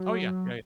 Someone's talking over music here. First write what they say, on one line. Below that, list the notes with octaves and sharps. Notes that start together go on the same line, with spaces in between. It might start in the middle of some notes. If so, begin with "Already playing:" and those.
Oh, yeah, yeah.
Already playing: F#3